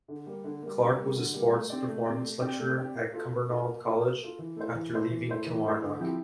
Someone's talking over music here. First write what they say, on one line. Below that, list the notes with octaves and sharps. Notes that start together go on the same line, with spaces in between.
Clark was a sports performance lecturer at Cumbernauld College after leaving Kilmarnock.
D3
G3 A#3
D3
G3 A#3
D3
G3 A#3
D3
G3 A#3
A3
C4 G4 D5
A3
C4 G4 D5
A3
C4 G4 D5
A3
C4 G4 D5
A#3
F4 A4
A#3
F4 A4
A#3
F4 A4
A#3
F4 A4
E3
A3 E4 A4 C5
E3
A3 E4 A4 C5
E3
A3 E4 A4 C5
E3
A3 E4 A4 C5
D3
F3 C4 E4 G4